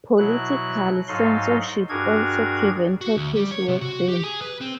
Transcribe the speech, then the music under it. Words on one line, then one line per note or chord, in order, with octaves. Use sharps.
Political censorship also prevented his work there.
B2 F#3 E4 F#6
G#2 F#3 D#4 A4 F5 C6
G2 D4 F#4 G#4 A#4 G#6
F#4
D2
G3
C#5
C3
F#4
G4
G#4
B4
C4